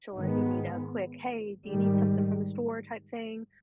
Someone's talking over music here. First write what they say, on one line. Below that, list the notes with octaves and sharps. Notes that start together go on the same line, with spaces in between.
if you need a quick, "Hey, do you need something from the store?" type thing,
G#2 D#3 G#3 B3
G#2 D#3 G3